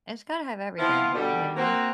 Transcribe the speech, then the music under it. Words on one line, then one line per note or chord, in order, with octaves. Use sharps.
it's gotta have everything, you know,
F3 B3 C4 E4 F4
B2 D3 G3
A#3 C4 F#4